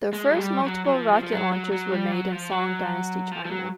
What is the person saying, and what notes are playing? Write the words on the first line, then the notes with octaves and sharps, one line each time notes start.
The first multiple rocket launchers were made in Song dynasty China.
G#3
F#3
G3
F3
F#3
F#3
F3
F3
F3
F#3
F#3
F#3
G3
F#3
F3
F#3
F3
F3
F#3